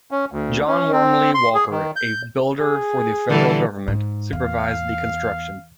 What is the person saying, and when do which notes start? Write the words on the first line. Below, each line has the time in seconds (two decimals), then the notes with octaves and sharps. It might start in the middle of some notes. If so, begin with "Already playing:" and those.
John Wormley Walker, a builder for the Federal Government, supervised the construction.
0.11 C#4
0.32 D2
0.68 C#4
0.92 C4
1.34 C6
1.55 G#4
1.71 D#3
1.96 G6
2.61 G#4
3.30 D3 E3 G3
3.87 G#2
4.33 E2 F5